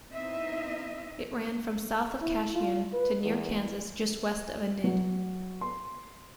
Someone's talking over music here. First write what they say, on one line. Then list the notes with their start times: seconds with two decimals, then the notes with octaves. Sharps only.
It ran from south of Cashion to near Kansas just west of Enid.
0.13 B3 C4 D#4 E4 D#5 E5
2.21 E4
2.55 F4
2.93 B4
3.23 E2
4.84 F#3
5.61 C6